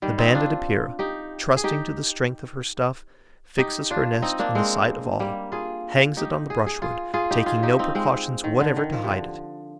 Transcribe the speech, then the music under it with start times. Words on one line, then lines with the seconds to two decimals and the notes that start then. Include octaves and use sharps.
The Banded Epeira, trusting to the strength of her stuff, fixes her nest in the sight of all, hangs it on the brushwood, taking no precautions whatever to hide it.
0.02 D#3 G3
0.18 C4 D#4
0.34 D4 F4
0.99 D#4 G4
1.57 G#4
1.64 D#4 G4
3.58 D#4 G4
3.91 D4 F4
4.22 C4 D#4
4.39 A#3 D4
4.55 G#3 C4
5.20 G3 A#3
5.52 F4 G#4
6.17 D#4 G4
6.50 G#4
6.66 G#4
6.82 F4 G#4
7.14 F4 G#4
7.31 D#4 G4
7.46 F4 G#4
7.63 D#4 G4
7.79 C4 D#4
7.95 G#3 C4
8.44 D#3
8.60 D3
8.77 D#3
8.92 F3
9.04 C3
9.09 D3